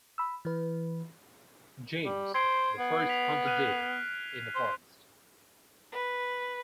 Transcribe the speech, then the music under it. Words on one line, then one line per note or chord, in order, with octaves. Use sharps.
James the First hunted deer in the forest.
B5 E6
E3 B4
G3
C5 G#6 C7 D7
B3
B6 C7 F7
F6 F#6 D#7
C5
B4